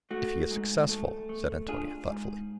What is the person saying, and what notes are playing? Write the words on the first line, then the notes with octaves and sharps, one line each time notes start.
"If he is successful!" said Antonia, thoughtfully.
A3 F#4
G#2
A3
A3
D4 F4 G#4
G#2